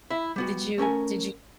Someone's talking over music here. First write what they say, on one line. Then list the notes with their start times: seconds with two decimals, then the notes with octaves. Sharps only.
did you did you
0.10 E4 E5
0.36 G3 B3 F#4
0.78 A3 C#4 A#4 G#5